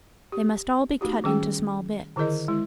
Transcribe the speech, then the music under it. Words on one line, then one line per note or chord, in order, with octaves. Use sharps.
They must all be cut into small bits.
G4
A3 D#4 F#4 G4
D#3 G3 C#4 G#4 G5
D3 D#3 E4 G#4 A#4 D#5
G#3 E4